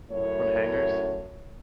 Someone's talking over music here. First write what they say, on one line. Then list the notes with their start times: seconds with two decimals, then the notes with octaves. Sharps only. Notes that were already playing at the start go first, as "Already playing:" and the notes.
On hangers?
0.11 F#2 A2 C#5